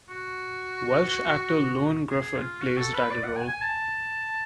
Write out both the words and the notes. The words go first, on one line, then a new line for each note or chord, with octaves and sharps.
Welsh actor Ioan Gruffudd plays the title role.
F#4
G#4
F4
F#4
A4
B4
D5
F#5
G#5
G#5
A5